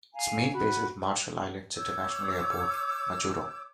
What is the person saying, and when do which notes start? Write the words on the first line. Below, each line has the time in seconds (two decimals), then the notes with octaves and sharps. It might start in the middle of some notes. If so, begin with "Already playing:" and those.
Its main base is Marshall Islands International Airport, Majuro.
0.13 F5 G#5 A#5
0.52 F#4 B5
1.76 C#5 D6 E6 G6